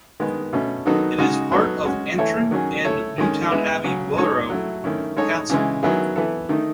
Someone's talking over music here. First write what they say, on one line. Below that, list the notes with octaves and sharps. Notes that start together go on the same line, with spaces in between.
It is part of Antrim and Newtownabbey Borough Council.
D#3 G#3 B3
B2 A3 C#4
D#3 F#3 B3 D#4 A4
C#3 G#3 D#4 F#4
F#3 B3 D#4 A4
G#3 C#4 F#4
E3 A3 E4 A4 C#5
D#3 F#3 C#4 G#4
A3 E4 A4 C#5
D#3 G#3 C#4
G#3 B3 E4
C#3 F#3 C#4
G#3 D#4 A4 C#5
F#3 A3 E4
D#3 A3 C#4 E4
G#3 D#4 A4 C#5
C#3 E3 G#3
D#3 F#3 B3 E4 G#4
E3 B3 E4 A4
D#3 A3 D#4